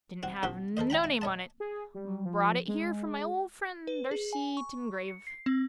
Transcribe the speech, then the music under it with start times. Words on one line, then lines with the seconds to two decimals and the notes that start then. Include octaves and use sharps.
Didn't have no name on it--brought it here for my ole fren', Darcy, t' engrave.
0.23 C4 F#4
0.43 A#1 C4 F#4 G4
0.77 A4 A#4 C5 D#5
0.90 C#5 G5 A#5 B5
1.04 E4
1.21 C#5 D#5 A5
1.60 G#4
1.94 G3
2.25 F3
2.68 G#3
3.87 B4
4.11 G#4
4.33 G#5
4.57 C#6
5.08 C#7
5.27 C7
5.46 C4